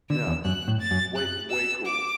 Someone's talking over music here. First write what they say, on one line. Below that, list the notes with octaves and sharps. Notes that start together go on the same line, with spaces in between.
Yeah, it's w w way way cool.
D3 E6
E2
F#2 F#6
A2
A6
F#2
F#6
E6
D6